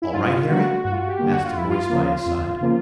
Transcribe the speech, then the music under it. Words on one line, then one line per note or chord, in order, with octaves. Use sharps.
"All right, Harry?" asked a voice by his side.
E4
G2 F4
D3 G3 A#3 F#4
G2 F#4
F4
F#4
G4
D3 G3 A#3
F#4
F4
F2 E4
F4
C#3 F3 A#3
F2
C#3 F3 A#3